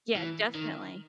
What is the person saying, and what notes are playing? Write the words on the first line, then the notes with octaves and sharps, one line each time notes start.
Yeah, definitely.
E3
D#3